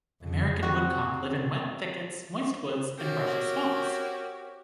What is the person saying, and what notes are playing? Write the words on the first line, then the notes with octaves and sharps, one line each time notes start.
American woodcock live in wet thickets, moist woods, and brushy swamps.
F2
G3 C4 F#4
C4 F#4 G4 A#4 C#5